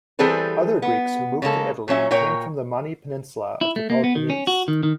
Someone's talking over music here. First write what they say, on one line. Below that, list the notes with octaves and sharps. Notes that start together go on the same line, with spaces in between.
Other Greeks who moved to Italy came from the Mani Peninsula of the Peloponnese.
E3 G3 C4 G#4 A4 B4
B3
C#3 G#3 A#3 A4
A#2 F#3 C#4 E5
A#2 A#4 C#5 G5 A#5
E4
A3
A#3
B3
D#3
C#4
F#4
D#3
D#3